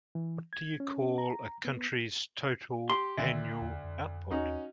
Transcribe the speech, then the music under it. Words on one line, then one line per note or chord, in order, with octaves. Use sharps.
What do you call a country's total annual output?
E3
G#6
C#4
A#5
B3
G4 C6
D2 D#3 E5
E2
F2
D#2 C#4 D#4 F#4